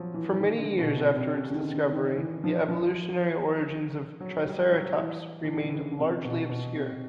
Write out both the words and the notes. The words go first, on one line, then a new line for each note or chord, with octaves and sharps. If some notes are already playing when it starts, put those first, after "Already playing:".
For many years after its discovery, the evolutionary origins of "Triceratops" remained largely obscure.
Already playing: F3 F#3
E3
E3
D#3
D3
B2
C3
C3
C#3
D3
D#3
D3
D#3
E3
F3
F3
F#3
G3
F#3
E3
E3
D#3
D3
C#3
C3
B2
B2
C3